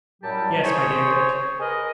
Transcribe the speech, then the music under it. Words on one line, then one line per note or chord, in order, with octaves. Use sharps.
"Yes, my dear Dick!"
F#2 A2 F#3 G3 G4 A5
G#4 C5 C#5
G#4 A#4 B4 D#5